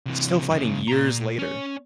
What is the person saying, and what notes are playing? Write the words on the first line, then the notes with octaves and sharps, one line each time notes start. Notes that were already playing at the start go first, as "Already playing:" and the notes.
still fighting years later.
C3 E3
F#2 C#3
A#2 A#5
C#4 C#5